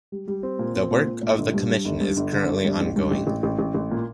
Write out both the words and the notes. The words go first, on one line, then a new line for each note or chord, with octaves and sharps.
The work of the commission is currently ongoing.
G3
G3
C4
A#2
C4
A#2
A#2
A#2
G1
G2
G2
G1
G2
G1
D3
G1
G2
A1
G2
A1
A1
A1
A1
A1
A#2